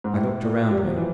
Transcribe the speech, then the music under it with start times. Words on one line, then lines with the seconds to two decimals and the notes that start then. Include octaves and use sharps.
I looked around me.
0.04 G#2
0.14 A2
0.44 A#2
0.71 G3
0.79 F#3
0.87 F3
0.96 E3